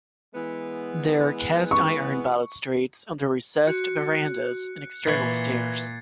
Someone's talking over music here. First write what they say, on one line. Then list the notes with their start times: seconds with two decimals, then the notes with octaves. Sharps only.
There are cast iron balustrades on the recessed verandahs and external stairs.
0.35 E3 G#3 B3
1.71 C#6
3.67 F#4 F#6 C#7
5.07 A#2 E3 B5 C#6 G#6 A6 C7